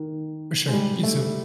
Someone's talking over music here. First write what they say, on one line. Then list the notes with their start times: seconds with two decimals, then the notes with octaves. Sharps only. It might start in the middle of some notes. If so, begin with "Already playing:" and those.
For sure, you too.
Already playing: D#3
0.68 G#3
0.73 G3
1.03 A3